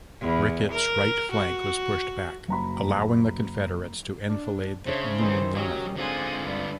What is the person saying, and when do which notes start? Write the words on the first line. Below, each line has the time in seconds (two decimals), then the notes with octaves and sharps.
Ricketts's right flank was pushed back, allowing the Confederates to enfilade the Union line.
0.21 E2
0.72 A#4
1.32 F#4
2.48 F#1 A#5 B5
4.28 D4
4.86 C#3 D4 C5 C#5 E5
5.19 D#3 E3 D#4 C5
5.56 F#3 C#4 G4 A#4 D#5
5.96 G#2 D3 C4 D4 F4 G#5 D#6 F#6
6.44 G2 B4 D5